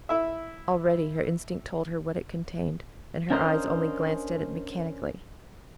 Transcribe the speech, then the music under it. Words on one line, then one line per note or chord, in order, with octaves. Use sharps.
Already her instinct told her what it contained, and her eyes only glanced at it mechanically.
E4 E5
C#4 D4 A#4 C5 D#5 F5